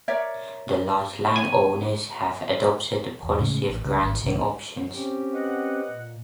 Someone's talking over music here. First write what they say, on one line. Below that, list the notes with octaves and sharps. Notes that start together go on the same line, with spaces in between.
The large landowners have adopted the policy of granting options.
A#4 C#5 D5 E5
G#5
E2
A2 C#3 E3 G#3
A1
C#2
G#1
C2 G#2 D#3
C4 C#4 G4
B4 D#5 F#5
A#2